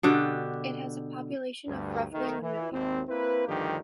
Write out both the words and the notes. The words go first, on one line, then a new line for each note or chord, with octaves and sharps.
It has a population of roughly one million.
B2 D3 D4 G4
D2 G2
B1 D#3 A3
E3
G#1 D#2 C4
A#3 C4 E4 B4
D2 G2 D3 D#3 F3 G4